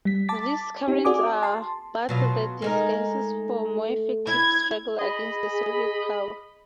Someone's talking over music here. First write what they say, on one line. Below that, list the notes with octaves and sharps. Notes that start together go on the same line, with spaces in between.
These currents are but the disguises for more effective struggle against the Soviet power.
G3 B6
A5 D6 A6 B6
C4 D#4 G4
F#4 G#4 D5 G#5 D6 D#6
A5 C6
B2 F#3 F4
G#3 A3 D#4 A#4
E4 G#6
G#4 D#5 B5